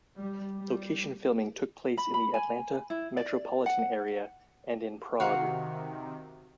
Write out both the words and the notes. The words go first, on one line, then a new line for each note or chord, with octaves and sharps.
Location filming took place in the Atlanta metropolitan area and in Prague.
G3
G3
B5
B5
G#5
E4
D5
F#5
C3 D#3 F#4 F5 F#5